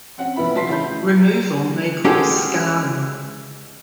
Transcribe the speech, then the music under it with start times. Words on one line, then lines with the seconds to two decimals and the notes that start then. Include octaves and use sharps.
Removal may cause scarring.
0.18 C4 C#4 F#5
0.36 F1 B3 E4 B5
0.55 B1 F#4 A5 C6 B6 C7
0.68 A1 C#3 E4 B5 G6
2.05 G#3 C#4 F#4 G4 A4